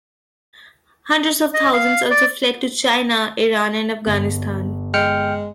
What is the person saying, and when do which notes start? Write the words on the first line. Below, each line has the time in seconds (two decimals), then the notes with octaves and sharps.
Hundreds of thousands also fled to China, Iran and Afghanistan.
1.54 D#5
1.73 F5
2.11 D5
4.06 G1
4.94 G#3 G5 F6 C#7